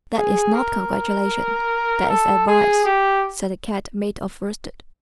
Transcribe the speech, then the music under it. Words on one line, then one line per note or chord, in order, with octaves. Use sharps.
"That is not congratulation; that is advice," said the Cat-made-of-worsted.
G#4
A#4
A4
G#4
G4